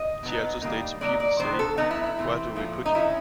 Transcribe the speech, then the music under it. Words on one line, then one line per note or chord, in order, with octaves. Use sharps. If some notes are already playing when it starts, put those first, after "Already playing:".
She also states People say 'where do we put you?
Already playing: D#5
B2 F#3 B3 D#4
D#3 G3 A#3 D#4
D3 F#3 A#3 D#4 D5
D5
D#3 F#3 B3 D4 C5
A4
A2 F#3 B3 D#4
E4
E4
C3 E3 A3 C4
A#2 F3 A3
D#4
D#3 G#3 C#4 E4